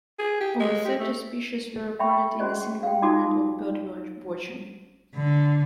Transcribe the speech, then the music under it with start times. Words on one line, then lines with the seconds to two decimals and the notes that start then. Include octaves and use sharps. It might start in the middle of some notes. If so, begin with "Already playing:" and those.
Over thirty species were recorded in a single morning of bird watching.
0.19 G#4
0.41 G4
0.60 G#3
0.85 G4
1.00 A3
1.99 E5 G5 B5 C#6
2.40 C#4 F#4 G#4 C5 D#5
2.83 F5 G5
3.02 D#4 F4 F#4 A5 D6 D#6
5.15 D3